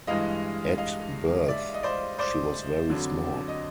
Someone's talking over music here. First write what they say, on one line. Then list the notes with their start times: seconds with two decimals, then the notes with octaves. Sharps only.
At birth she was very small.
0.07 G2 E3 G#3 D#5 F5
0.78 D#5 F5
1.49 D5 E5
1.74 D#5
1.83 C5 D5
2.19 C5 D5
2.90 F2 D3 F#3
3.48 D#5